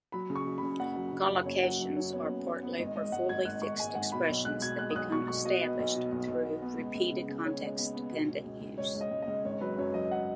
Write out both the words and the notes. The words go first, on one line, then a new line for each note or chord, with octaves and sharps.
Collocations are partly or fully fixed expressions that become established through repeated context-dependent use.
F#3 B5
C#3
C#6
F#3
C#3 B5
F#1 F#5
F#3
C#3
F#2
F#1 C#5
F#3 F#5
F#2
F#3 C#5
B3 C#5
F#1
B3
B3
G#1 D#5
G#2 D#5
G#2 F#5
G#1 G#6
G#1 F#6
G#1 C#6
G#2 G#5
G#1 F#5
B2 B5
B1
G#3 F#6
B2 G#6
G#3 F#6
D#6
B1 F#6
B2 C#6
B1 C#6
B2 D#5
B3
B1
B2
B1
B1
B3
B3
C#2
C#2
C#3
C#3
C#3 C#5
G#3
B3
B3
B2
C#2
C#2
C#2
C#2 C#5
C#2
D#5
C#2
D#5
C#2
G#1 C#5
F#3 B4
F#2 C#5
F#3 D#5
F#5